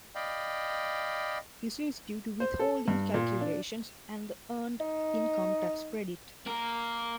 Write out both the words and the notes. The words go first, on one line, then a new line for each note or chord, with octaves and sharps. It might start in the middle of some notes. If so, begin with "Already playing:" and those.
This is due to withholding calculations and the earned income tax credit.
D5 D#5 F5 G5 B5
C5
A4
G2
A#2
D4
D#4
A#3 A#4